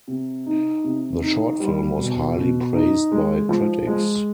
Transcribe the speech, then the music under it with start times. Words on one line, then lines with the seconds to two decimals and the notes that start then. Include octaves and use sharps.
The short film was highly praised by critics.
0.07 C3
0.46 D#4
0.84 C3
1.21 D#4
1.60 G3
1.97 B2
2.36 B2
2.73 D#4
3.12 G#3
3.49 F3
3.87 G#3